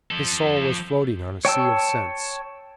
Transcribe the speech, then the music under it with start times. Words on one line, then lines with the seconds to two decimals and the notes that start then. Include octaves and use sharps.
His soul was floating on a sea of sense.
0.11 F3 A4
1.45 C#5 G5 A5 E6